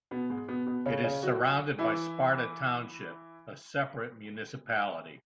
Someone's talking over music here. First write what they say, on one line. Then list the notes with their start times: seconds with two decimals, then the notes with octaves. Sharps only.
It is surrounded by Sparta Township, a separate municipality.
0.11 B2 B3
0.30 G#2 G#3
0.48 B2 B3
0.66 B2 B3
0.86 C#3 C#4
1.04 C#3 C#4
1.23 F#3 F#4
1.79 E3 E4